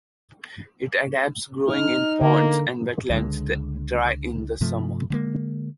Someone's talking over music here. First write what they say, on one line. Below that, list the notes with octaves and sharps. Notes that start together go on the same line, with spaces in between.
It adapts growing in ponds and wetlands, that dry in the summer.
D#4 F6
D3 A#3
C#2 D3 F3 G#3
G2 C3 F3 A3
D3 G#3 A#3